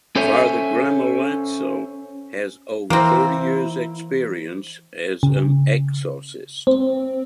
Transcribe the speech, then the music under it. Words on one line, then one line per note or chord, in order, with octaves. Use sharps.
Father Gramolazzo has over thirty years experience as an exorcist.
C#4 A4 C5 C#5 E5 G#5
E3 A#3 C4 E4 C5
C#3
C4